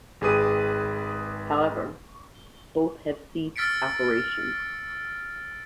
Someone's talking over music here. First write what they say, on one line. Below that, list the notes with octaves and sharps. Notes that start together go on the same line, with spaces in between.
However, both have ceased operation.
G#1 G4 G#4 B4 D#6 D#7
E6 F6 A6 B6 C#7 D7